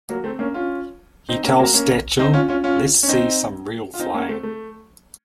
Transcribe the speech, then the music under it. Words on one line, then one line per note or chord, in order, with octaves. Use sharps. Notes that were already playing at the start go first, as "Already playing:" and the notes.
He tells Stachel, Let's see some real flying.
F#3 A#3
A3 C4
A#3 C#4
C#4 F4
C4 D#4
A#3 C#4
F#3 A#3
A#3 C#4
C4 D#4
C#4 F4
C#4 F4
C#4 F4
C#4
C4 D#4
F4
C4 D#4
A#3 C#4
A3 C4
A3